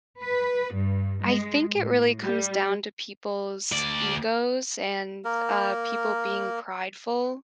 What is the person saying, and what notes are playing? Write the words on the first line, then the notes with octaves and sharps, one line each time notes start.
I think it really comes down to people's egos and, uh, people being prideful
B4
G2
G#3
A2
G3
D2 D5
A#3 A#4